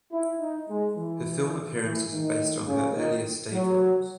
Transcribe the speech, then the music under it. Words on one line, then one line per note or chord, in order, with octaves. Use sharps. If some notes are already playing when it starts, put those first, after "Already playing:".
Her film appearances are based on her earlier stage roles.
E4
D#4
G#3
E3
E3
D#3
C#3
D#3
F#3